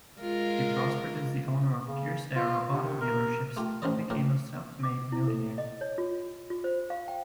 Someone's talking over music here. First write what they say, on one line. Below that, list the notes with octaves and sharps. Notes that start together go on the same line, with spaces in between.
He prospered as the owner of Pierce-Arrow auto dealerships and became a self-made millionaire.
G#3 F4 A#4
C#3
F4
C3
A#4
A3 F4 G4
A1 C#4 A#4 C5 D5 D#5
A2 F3 A#3 A#4
D6
E4
A4
D#5
C#5
F4
F4
C5
F5
G5